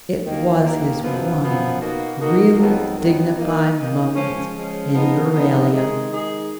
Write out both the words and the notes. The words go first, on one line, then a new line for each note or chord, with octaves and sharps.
It was his one really dignified moment in Euralia.
D#2 D#3 A#3
D#2 D#3 A#3
F#2 F3 B3
F#2 F3 B3
B2 A#3 D#4 F#4
B2 A#3 D#4 F#4
F2 D#3 F#3 B3
F2 D#3 F#3 B3
D#3 A#3 D#4
D#3 A#3 D#4
F3 G#3 C#4
F3 G#3 C#4
F3 B3 D#4
F3 B3 D#4
D#3 G#3 D#4 G#4
D#3 G#3 D#4 G#4